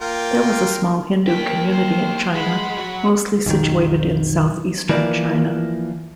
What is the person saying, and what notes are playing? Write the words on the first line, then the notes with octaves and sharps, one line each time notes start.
There was a small Hindu community in China, mostly situated in southeastern China.
A#3 F4 G5
A#3 G4 G5 B6
C5
G#3 F#5 B5
F#3 F#4
B1 F2 D#3
E3 F3 A#3 D5